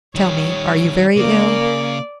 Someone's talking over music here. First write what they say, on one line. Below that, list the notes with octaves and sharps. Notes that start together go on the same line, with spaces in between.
"Tell me, are you very ill?"
D#3 G3 C#5
C#3 A#3 A#4 D5